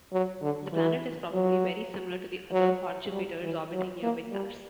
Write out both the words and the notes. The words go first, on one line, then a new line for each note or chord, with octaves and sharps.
The planet is probably very similar to the other "hot Jupiters" orbiting nearby stars.
F#3
D3
E3
F#3
F#3
G3
E3
F#3
A#3
G3